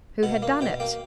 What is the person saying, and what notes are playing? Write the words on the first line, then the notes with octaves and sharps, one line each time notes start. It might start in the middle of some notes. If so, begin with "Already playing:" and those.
Who had done it?
B2 F#5
A#3
B2 G5
A#3 G5